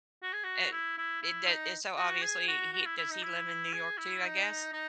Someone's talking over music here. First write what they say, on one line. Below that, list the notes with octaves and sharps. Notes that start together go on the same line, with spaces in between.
It it doe and so obviously he does he live in New York too, I guess?
F#4
G#4
F#4
E4
E4
E4
D#4
F#4
G#4
F#4
F#4
E4
E4
D#4
E4
G#4
E4
D#4
D#4